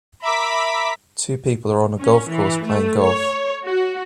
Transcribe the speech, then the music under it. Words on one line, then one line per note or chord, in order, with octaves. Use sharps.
Two people are on a golf course playing golf.
A#4 E5 A#5 B5 D6 B6
C#4
E3
A3
C#5
F#4